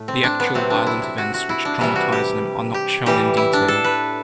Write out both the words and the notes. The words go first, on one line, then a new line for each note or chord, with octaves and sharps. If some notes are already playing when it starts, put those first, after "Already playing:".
The actual violent events which traumatise them are not shown in detail.
Already playing: A2 A3
C4
D4
B3
C3 F#3 A3 C4
D4
E4
E4
F#4
F#4
E4
D4
C3 E3 G3 E4
F#4
G4
G4
A2 E3 G3 G4
E4
D4
A4
B4